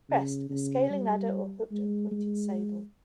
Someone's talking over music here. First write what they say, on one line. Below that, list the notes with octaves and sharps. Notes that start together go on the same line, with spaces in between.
Crest: A scaling ladder or, hooked and pointed sable.
C#3
C#3
G3
G#3
G#3